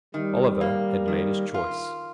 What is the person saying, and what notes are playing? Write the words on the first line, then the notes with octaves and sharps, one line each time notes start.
Oliver had made his choice.
D#3 G3
A#3
D#3
F4